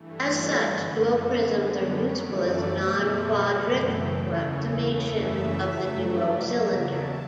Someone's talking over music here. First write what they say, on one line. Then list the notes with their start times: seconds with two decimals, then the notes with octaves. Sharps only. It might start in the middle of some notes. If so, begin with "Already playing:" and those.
As such, duoprisms are useful as non-quadric approximations of the duocylinder.
Already playing: G2 E3 A3
0.27 F#4
0.63 F#2 D3 A3
0.99 A4
1.36 F#2 D3 G3 B3 B4
1.72 C#5
2.07 F#2 E3 A3 D5
2.78 B2 F#3 A3 E5
3.14 F#5
3.50 F#2 C#3 E3 A3 A5
3.87 G5
4.22 E2 C#3 E3 A3 C#5
4.93 F#2 C#3 E3 A3 E5
5.65 G2 F#3 A3
6.01 D5
6.37 E2 C#3 F#3 E5
6.73 A5